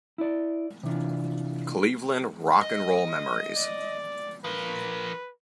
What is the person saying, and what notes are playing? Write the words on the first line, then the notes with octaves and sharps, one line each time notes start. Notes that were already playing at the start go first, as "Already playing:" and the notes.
"Cleveland Rock and Roll Memories".
E4 D5
C3 E3 D4 F4
D#5
D5
F3 A#4 B4